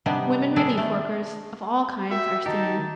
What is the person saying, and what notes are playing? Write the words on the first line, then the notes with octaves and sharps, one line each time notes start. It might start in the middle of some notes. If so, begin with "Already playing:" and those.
Women relief workers of all kinds are seen.
C3 G3 B3 D4 D#4
D#3 G3 D4 G#4 A4 D5
A3
F#4 A#4 E5 G5
D#3 D#4 G4 A5